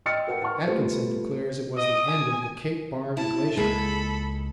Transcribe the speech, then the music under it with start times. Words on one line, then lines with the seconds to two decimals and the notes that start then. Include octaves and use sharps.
Atkinson declares it was the end of the Cape Barne Glacier.
0.06 D#5 G5 E6 F6 A6 C#7
0.27 F#4 A#4 B4 F#5 G5
0.42 F#5 A5 C#6 F6
0.67 G3 A3 F4 A4 B4 C5
1.77 D#5 D#6
2.08 G#5
3.17 E4 A5
3.57 C#2 G#3 A#3 G#4 A4 B5